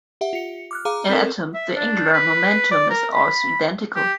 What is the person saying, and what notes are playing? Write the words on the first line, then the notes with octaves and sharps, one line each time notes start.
In atoms the angular momentum is also identical.
G4 E5 F#5
F4 C#7
D6 F6 F#6
G#4 F5 A#5 D6
C4 A4 A#4
E5
D4
B4
D5
A#4
B5
G4